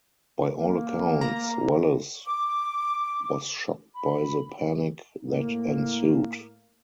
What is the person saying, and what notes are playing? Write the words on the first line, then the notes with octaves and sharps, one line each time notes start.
By all accounts, Welles was shocked by the panic that ensued.
A#3
A#5
D6
B5
A2 A#3